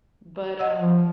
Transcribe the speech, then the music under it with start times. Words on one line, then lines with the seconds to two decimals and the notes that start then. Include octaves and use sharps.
But, um
0.59 D#5 F#5 E6
0.79 F3